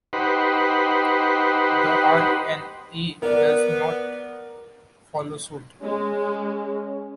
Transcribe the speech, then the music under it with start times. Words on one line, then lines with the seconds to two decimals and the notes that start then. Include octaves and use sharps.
The R and A does not follow suit.
0.13 D#4 G4 B4 C5 F#5
3.22 B3 A#4 D5
5.82 G#3 C#4